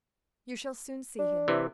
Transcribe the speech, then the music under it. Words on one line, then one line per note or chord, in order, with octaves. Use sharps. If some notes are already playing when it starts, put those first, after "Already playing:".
You shall soon see him.
D4
C3 E3